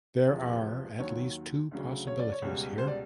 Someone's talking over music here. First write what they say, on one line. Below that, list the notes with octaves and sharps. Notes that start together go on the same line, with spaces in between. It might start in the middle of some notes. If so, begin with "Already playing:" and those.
There are at least two possibilities here.
E2 C3 F3
D#2 D#3 F#3 C#5
D2 C#3 F#3
C#5
D5
C#5
C#2 B2 G3
C5
D5